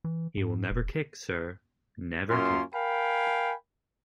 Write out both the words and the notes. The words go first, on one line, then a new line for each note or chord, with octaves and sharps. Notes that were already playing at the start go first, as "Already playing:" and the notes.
He will never kick, sir, never kick.
E3
G#2
E1
F#2 A#3 C#4 F4 C6
A#4 F5 G5 G#5 B5